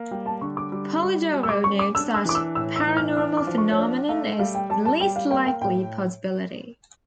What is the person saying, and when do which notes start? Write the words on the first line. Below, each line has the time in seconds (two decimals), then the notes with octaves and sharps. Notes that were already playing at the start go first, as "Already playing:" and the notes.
Polidoro notes that Paranormal phenomenon is the least likely possibility.
Already playing: A#3
0.11 G3 G5
0.26 A5
0.41 D3 C#6
0.57 D6
0.72 G3
1.03 G3
1.33 G3
1.43 E6
1.49 D6
1.64 C#4 C#6
1.79 D6
1.95 D4 E6
2.14 E6
2.25 E3 D6
2.35 E6
2.55 A2 E6
2.76 E6
2.87 E3
2.97 F6
3.17 D4 E6
3.37 D6
3.47 F3
3.58 C#6
3.71 C#5
3.78 D4 D5
4.08 A3 F5
4.39 G3 F5
4.55 G5
4.70 G3 A5
4.85 A5
5.00 G3 G5
5.16 F5
5.30 A#3 G5
5.46 G5
5.61 A2 G5